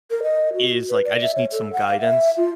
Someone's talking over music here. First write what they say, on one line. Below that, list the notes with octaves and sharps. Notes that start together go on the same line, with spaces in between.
is, like, I just need some guidance.
A#4
D#5
F#4
B4
D5
E5
C#5
A4
F#5
F5
E5
F4